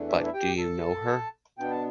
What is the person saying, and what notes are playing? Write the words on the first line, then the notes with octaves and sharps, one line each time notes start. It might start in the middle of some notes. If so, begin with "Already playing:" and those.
But do you know her?
Already playing: E2 E3 A3 D4
E5
D5
E4 E5
G4 G5
A4 A5
B2 B3 D4 G5
A5